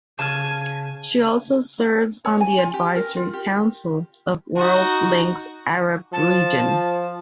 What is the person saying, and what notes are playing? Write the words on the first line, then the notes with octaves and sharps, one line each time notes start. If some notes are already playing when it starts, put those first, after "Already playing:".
She also serves on the Advisory Council of World Links Arab Region.
C#3 G#5 A5 F6
C#5
G#5
F4
G4
A#4
F4
G4
D#4 F#4
F3 A5